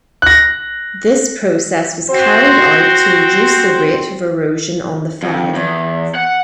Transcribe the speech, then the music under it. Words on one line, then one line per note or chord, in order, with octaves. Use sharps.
This process was carried out to reduce the rate of erosion on the fell.
F#6 A#6
C4 F#4 C5
F2
E2
F#5